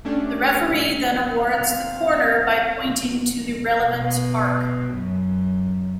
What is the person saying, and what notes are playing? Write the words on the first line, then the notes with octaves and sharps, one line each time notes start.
The referee then awards the corner by pointing to the relevant arc.
A3 C#4 D4 G4
C4 F5
B2
F#2